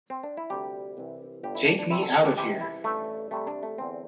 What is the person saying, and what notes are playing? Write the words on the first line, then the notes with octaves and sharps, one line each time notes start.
Take me out of here!
C4
D4
E4
D2 C3 G3 G4
C2 C3 E3
G1 G2 D3 G4
E4
D4
D4
E2 C3 G3 E4
A4
A4
G4
C2 C3 E3 G4
E4
A1 G2 G3 A3
C2 C3 G3 A3
D4
A3
E2 D3 G3 C4